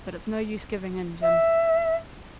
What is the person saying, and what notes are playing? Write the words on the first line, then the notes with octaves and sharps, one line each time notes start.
But it's no use giving in, Jim.
E5